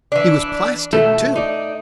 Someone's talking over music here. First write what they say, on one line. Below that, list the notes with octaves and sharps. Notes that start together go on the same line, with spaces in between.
He was plastic, too.
E3 D4
B2 A3
D#4 D5